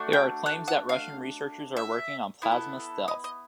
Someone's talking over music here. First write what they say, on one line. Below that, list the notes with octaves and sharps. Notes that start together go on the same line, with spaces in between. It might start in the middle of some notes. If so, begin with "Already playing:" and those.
There are claims that Russian researchers are working on "plasma stealth".
Already playing: A3 D4 F#4
G5
F#5
F#5
F5
E5
B3 E4 A4
D#5
D#5